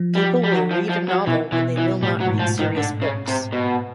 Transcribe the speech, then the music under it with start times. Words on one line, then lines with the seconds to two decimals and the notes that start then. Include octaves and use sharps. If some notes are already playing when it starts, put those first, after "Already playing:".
People will read a novel when they will not read serious books.
Already playing: F3
0.15 G3
0.44 G3
0.52 F#3
0.71 F3
0.89 F3
1.09 F#3
1.27 B2 E3
1.52 B2 E3
1.78 E3
2.02 A2 G3
2.20 F#3
2.27 G#2
2.39 F3
2.59 D#3
2.77 D3
3.02 C#3
3.28 C3
3.52 B2